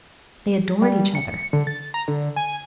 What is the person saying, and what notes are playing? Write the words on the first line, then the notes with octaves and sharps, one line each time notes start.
They adored each other.
G3
C#7
D3
A6
A#5
D3
G#5